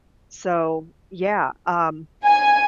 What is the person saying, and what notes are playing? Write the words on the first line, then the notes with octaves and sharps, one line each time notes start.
So, yeah, um
G#5